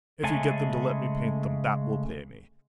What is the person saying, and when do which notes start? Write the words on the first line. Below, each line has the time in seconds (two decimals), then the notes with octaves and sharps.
If you get them to let me paint them, that will pay me.
0.24 C#3 G#3 A3 G#5 A5